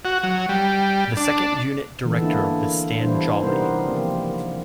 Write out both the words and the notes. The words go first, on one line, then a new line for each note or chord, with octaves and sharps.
The second unit director was Stan Jolley.
F#4
F#3
G3
D4
D3 E3 G#3 B3 A4
A#3 D4 E4 F4
E3 G3 B3 D4 E4 C5
C3 G3 B3 D#4 A#4 C5
C#3 F3 A#3 C4